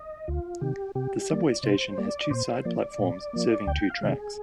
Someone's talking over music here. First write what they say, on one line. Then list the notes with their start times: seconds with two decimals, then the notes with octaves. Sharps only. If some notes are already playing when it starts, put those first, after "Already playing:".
The subway station has two side platforms serving two tracks.
Already playing: D#5
0.28 D2 F4
0.61 C3 D#3 G4
0.95 C3 G4
1.30 G3 A#3 D5
1.63 C3 C5
1.98 G3 A#3 D5
2.31 A#2 C5
2.65 F3 A#3 D5
2.99 A#2
3.33 F3 A#3
3.67 D2 G5
3.90 F5
4.01 C3 D#3 G#3
4.12 G#4